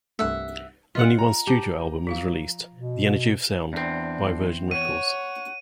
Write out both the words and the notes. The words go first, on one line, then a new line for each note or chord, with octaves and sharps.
Only one studio album was released, "The Energy of Sound", by Virgin Records.
C2 G2 A3 E5 F#5
F4 D#5 F#5
A#5
G4 A5
F3 F4 F5
B2
E2 C4 D4
C#5 F#5 D#7